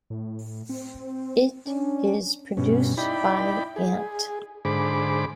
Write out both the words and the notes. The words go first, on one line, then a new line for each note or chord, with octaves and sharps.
It is produced by Ant.
A2
C4
C#4 D4
G2 B2 C#4
D#4 E4 D5 G5 B5
G#4
G#2 D3 G#4 C5 B5 D6